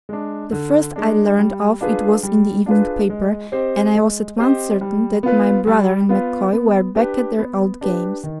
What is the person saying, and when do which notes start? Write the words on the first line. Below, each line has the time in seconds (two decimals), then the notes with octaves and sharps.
The first I learned of it was in the evening paper, and I was at once certain that my brother and MacCoy were back at their old games.
0.09 G#3 D4
0.52 D3
0.96 G#3 D4
1.39 G3
1.81 D4 F4 G#4 B4
2.23 G3
2.66 D4 F4 G#4 B4
3.10 G#3
3.52 C4 G4 C5 D#5
3.95 G#3
4.38 C4 G4 C5 D#5
4.81 G3
5.23 B3 F4 B4
5.67 G3
6.09 B3 F4 B4
6.52 B3
6.95 D4 G4 B4
7.39 B3
7.81 D4 G4 B4
8.23 D#3